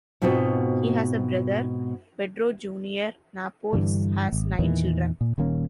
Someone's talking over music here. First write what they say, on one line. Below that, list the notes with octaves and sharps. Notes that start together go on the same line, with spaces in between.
He has a brother, Pedro Junior Napoles has nine children.
G#2 B2 B3 C4 F4 F#4
G2 D3 E3 G3
G#1
E2 A#2 D#3 E3
A#2
D#1 D#2 A#3 C#4